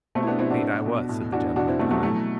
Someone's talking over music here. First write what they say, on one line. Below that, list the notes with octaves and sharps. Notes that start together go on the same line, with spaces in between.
'Ain't I what?' said the gentleman behind.
B2 A3 C4
E4
B3 D4
B2 C4 E4
D4 F#4
B2
B2
A2
E3 D4 F#4
B2 D4 F#4
C4 E4
B2 A3 C4
F#3 A3
E3 F#3 A3